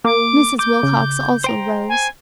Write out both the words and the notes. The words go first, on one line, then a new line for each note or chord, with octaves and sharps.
Mrs. Wilcox also rose.
A#3 D6
D6 G6
C#3
C5 G5 A#5
G#5